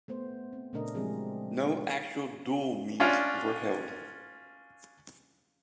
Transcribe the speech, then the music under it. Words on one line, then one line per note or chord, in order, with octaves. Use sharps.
No actual dual meets were held.
A3 B3 C5
C4
A#2 C#3 A3 D4 A#4 D#5
F3 F#3 G#3 C4 G4 G#4
C#4 D4 F4